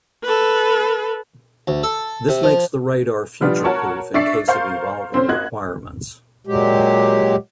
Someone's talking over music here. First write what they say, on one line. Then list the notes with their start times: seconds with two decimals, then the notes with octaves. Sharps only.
This makes the radar future proof in case of evolving requirements.
0.23 A4 B4
1.68 D2
1.83 A4
2.28 C3
2.43 F3
3.41 B2 F3 G3 B3 D4 F4
3.64 F#4 A#4 C#5 A5 C#6
4.14 D4 D5 E5 C#6 A6 C7
4.48 A#4 C5 F5 C6 C#6 G6
5.14 C4 C#4 C5
5.28 F#1 F#4 D#5 F#6 G#6
6.47 A#2 F#3 G#3 G4